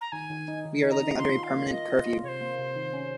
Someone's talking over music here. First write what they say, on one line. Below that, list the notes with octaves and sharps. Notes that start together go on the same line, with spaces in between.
We are living under a permanent curfew.
A#5
D#3 G#5
D#3
D#4
D#3
D#4
A#5
D#4
F4 C6
F4
F5
A#3
F4 D#5
F4
F4
C3 C5 C#5
A#3
C3
D#3
C#4